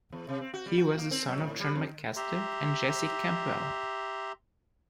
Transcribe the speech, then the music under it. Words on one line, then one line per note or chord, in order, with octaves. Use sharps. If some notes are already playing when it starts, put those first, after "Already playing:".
He was the son of John MacMaster and Jessie Campbell.
E2
C3
C4
F#4
G3
F#4
A#3
C4
F#3
A2
G3
F2
G4 E5 A#5 C6